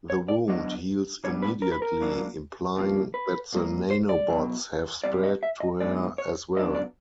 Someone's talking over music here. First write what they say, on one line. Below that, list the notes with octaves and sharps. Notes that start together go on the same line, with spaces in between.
The wound heals immediately, implying that the nanobots have spread to her as well.
C#5
D5
G2 D3 F#3 B3 D4 D#5
A#2 G3 B3 D4 C#5
B4
A#4
B4
A#4
C#2 C#3 F#3 A#3 D4
E2 C#3 F3 A#3
B4
A#2 G3 A#3
C5
D5
E2 B2 F#3
C3 E3 G3 C4 D5
D#5
E5
D#5
A2 E3 G#3 B3 D4 D5
C#5
C#2 C#3 F#3 B3 D4 D#5
D5